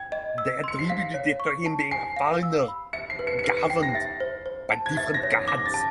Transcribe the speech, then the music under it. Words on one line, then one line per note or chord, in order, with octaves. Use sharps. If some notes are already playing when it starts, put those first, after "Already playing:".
They attributed it to him being a foreigner governed by different gods.
Already playing: G5 G#6
D#5
E6
C6 C#7
C7
F5 B6
C#5
C#6
A5
G#5 C7
F5
E6
B5
E5 C#7
C7
B4
C#7
C#7
B4 C7
C#7
G5 C7
A#6
E5 A6
C5
C5
A5
G#6
E5 A6
A#6
C#5
A#6
D6 A#6
A6
A5